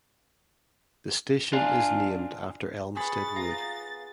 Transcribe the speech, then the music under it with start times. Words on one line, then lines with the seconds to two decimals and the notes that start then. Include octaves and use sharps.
The station is named after Elmstead Wood.
1.53 D4 F4 G#5
2.97 G#4 B4 B5 C#6 A6
3.36 B3 F4 A#5